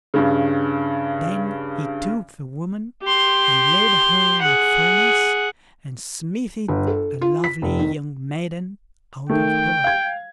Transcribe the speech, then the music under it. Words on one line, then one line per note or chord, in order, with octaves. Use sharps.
Then he took the woman and laid her in the furnace, and smithied a lovely young maiden out of her.
G2 C#3
G4 C6
G#4 F#5
G1
A4
F4
B6
F1
D#3
D#3 A3 G5
F5 G#6